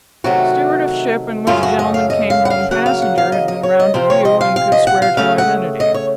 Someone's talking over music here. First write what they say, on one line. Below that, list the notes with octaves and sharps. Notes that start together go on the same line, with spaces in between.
Steward of ship in which gentleman came home passenger, had been round to view, and could swear to identity.
C3 D#3 F#3 A3 F#4
F#2 C#3 A3 C#4 F4
F#4
D#5
F5
D#5
F5
F#5
F5
C#3 F#3 A#3 F#5
F5
F#5
F5
D#5
D#5
C#5
D#5
C3 F3 C4 C5
C#5
D#5
F5
F5
D#5
F#5
F5
C#3 A3 C#4 F5
F#5
D#5
C#5